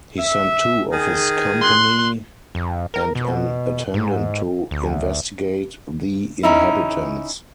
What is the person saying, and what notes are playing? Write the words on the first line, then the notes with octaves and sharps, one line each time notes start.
He sent two of his company and an attendant to investigate the inhabitants.
E5
D#3 G#4
C6 F#6
F2
A#4
B2
G#2
D2
C#4 D#4 E4